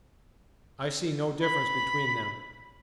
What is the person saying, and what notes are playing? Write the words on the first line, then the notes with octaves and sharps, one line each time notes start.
I see no difference between them.
B5